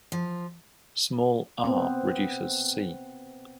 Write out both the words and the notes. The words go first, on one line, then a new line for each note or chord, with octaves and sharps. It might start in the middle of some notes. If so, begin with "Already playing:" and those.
Small "R" reduces "C".
F3
B3 C4